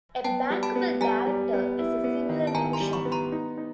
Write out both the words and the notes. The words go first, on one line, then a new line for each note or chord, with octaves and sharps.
A bankable director is a similar notion.
B3 G5 A5
G3
A5 B5
B3
G3 G#5 A#5
G3
B3
E4
B3
D#3
A5
D#3 G#5 A#5
A#5 C6
G3
B5 C#6
B3
A#5 C6
D#4
D#4